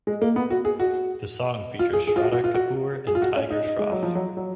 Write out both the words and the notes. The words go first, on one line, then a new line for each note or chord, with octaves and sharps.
The song features Shraddha Kapoor and Tiger Shroff.
G#3
A#3
B3
F#4
G#4
F#4
F4
G#4
G#4
F4
F#4
F#4
F4
F#4
G#4
F4
F#4
C#4
D#4
D#4
G#3
F#3
F3
F#3
F#3